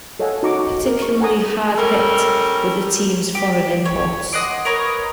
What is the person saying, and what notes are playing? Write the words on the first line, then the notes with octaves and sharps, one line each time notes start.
Particularly hard hit were the team's foreign imports.
A4 C#5 D#5 F5 F#5 G#5
D#4 F#4 C#5 A#5 C#6 D6
D#4
G#4 A#4
C#6
F#5 G#5 A#5 D#6
G3 C#4 A4 A#4
G4
C#5
D#5 F#5 C6 D6
A#4 B4 C#5 D#5